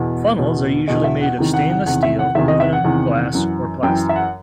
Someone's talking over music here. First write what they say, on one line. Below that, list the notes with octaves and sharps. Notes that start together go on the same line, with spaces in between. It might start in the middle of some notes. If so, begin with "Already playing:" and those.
Funnels are usually made of stainless steel, aluminium, glass, or plastic.
Already playing: E2 B2
E2 B2
E2 B2 D#5
E5
F#5
E2 C3 D#3
F#5
F#5
E2 C3 D#3 F#5
E5
F#5
E2 C3 D#3 E5
D#5
E5
F#5
E2 C3 D#3
F#2 E3
F#2 E3 G5
E5
F#5